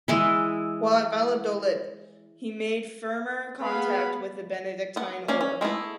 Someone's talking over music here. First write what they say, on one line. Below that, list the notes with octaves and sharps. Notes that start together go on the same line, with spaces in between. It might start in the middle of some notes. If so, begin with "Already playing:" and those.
While at Valladolid he make firmer contact with the Benedictine Order.
E3 G#3 E4
B3 G#4 F5 B5
B3 F#5
A#3 C#4 D5 F5
C#4
G#3 A3 B3 E4